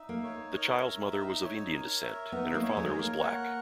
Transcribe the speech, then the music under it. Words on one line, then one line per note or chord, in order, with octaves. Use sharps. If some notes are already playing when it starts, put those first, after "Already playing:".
The child's mother was of Indian descent and her father was black.
Already playing: D#4 E5
A#3
C#5
A#4
E5
D#4
C#5
A#4
E5
B3 D#4
A#3
C#5
G#3
A#4
A#3
F#5